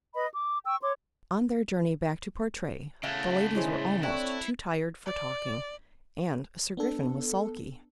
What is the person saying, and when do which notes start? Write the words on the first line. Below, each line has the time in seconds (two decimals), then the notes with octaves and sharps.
On their journey back to Portray, the ladies were almost too tired for talking; and Sir Griffin was sulky.
0.15 B4 D#5 B5
0.32 D6
0.66 G5 C#6 E6
0.81 C#5 C6 D6
3.03 C#3 A3 E4 F5 F#5
3.55 G#3 C#4 E4 C5
4.03 A3 C4 D4 E4 C#5
5.06 D5
6.77 B3 D4 A4